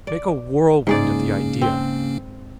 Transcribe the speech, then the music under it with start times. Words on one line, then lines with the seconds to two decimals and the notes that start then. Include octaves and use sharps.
Make a whirlwind of the idea.
0.07 D5
0.87 G#2 C#3 A#3 C#4 G#4 D5
1.61 C4